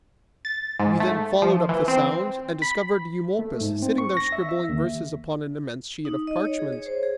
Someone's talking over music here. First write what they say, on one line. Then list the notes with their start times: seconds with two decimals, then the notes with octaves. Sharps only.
We then followed up the sound and discovered Eumolpus, sitting there scribbling verses upon an immense sheet of parchment!
0.45 A6
0.79 G#2
1.00 A3
1.42 F3
1.69 E3
1.88 C4
2.62 B5
3.39 A3
3.61 G#2
3.82 C4
3.98 C#6
4.17 A#6
4.32 E5
4.49 E5
4.69 D#2
6.05 D#4
6.27 D#5
6.45 C#5
6.59 G#4
6.73 C#5
6.86 C5
7.03 G#4